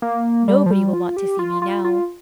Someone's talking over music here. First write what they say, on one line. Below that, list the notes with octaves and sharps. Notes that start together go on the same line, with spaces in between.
Nobody will want to see me now.
A#3
G3
F3
G3
F4
G4
F4
F4
F4